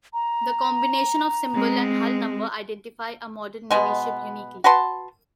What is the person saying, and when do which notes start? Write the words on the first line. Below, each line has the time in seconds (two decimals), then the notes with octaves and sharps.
The combination of symbol and hull number identify a modern Navy ship uniquely.
0.13 A#5
1.53 G#3 C4
3.71 B2 G#3 B3
4.64 F#4 B4 A5 C6